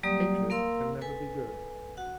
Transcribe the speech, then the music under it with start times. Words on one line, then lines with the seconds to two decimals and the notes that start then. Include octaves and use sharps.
Hatred can never be good.
0.03 F#3 G3 A#3 G4 D5 D#6
0.50 A#3 A#4 F5 C6 E6
1.01 A4 B4 G#5
1.97 F#4 F#5